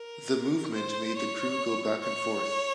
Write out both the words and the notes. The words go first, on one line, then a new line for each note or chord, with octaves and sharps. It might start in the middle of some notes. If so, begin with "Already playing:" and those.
The movement made the crew go back and forth.
Already playing: A#4
C5
C#5
C#5